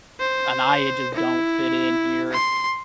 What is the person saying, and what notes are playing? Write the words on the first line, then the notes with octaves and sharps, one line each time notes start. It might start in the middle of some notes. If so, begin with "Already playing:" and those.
and I, uh, just don't fit in here."
C5
E4
C6